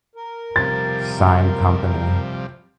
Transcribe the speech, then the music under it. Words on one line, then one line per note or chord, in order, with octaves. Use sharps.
Sign Company.
A#4
C3 F3 G3 A6